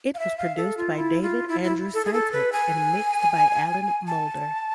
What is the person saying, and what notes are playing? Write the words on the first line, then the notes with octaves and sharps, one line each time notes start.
It was produced by David Andrew Sitek and mixed by Alan Moulder.
F5
E5
F5
A4
F4
E4
F4
E4
E4
A4
G#4
A4
B4
G#5
A5